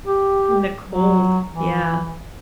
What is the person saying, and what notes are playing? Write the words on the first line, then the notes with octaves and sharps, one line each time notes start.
In the cold, yeah.
G4
F#3
E3